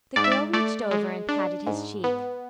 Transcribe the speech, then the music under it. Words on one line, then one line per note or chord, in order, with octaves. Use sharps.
The girl reached over and patted his cheek.
G#2 D5
E5
D5
A3 D5
G#3
D4
G#2
B3